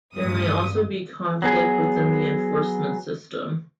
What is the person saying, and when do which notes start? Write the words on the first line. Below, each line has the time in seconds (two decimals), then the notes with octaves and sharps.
There may also be conflict within the enforcement system.
0.15 A1 G2 D#6
1.42 F#3 B3 G#4